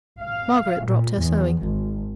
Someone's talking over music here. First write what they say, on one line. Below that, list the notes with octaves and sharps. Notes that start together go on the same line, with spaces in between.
Margaret dropped her sewing.
F5
A#2
E2
G#1